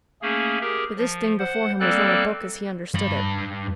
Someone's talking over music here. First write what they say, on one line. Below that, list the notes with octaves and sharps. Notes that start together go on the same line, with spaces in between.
But this thing before him was not a book as he understood it.
A3 A#3 C#4 G#4
G4 G#4 A#4
F3
C5 F#5
G3 A#3 C4 A4 D5 F#6
G2 B5